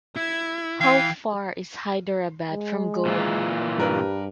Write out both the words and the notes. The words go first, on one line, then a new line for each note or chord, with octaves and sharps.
How far is Hyderabad from Goa?
E4 G#6
E3 F5 G5 G#6
G#3
A#2 E3 F4
G2 G3 A#4 B4